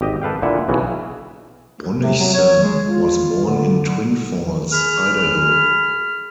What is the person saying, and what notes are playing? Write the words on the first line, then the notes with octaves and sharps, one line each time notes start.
Bonnichsen was born in Twin Falls, Idaho.
G#1 G4 D#5
A4 B4 F5 G5
A#2 D3 E4 E5 F#5
B1 C#3 E3
C3
F#3
C#5
G#3
F4
D3
G#4 B5 F6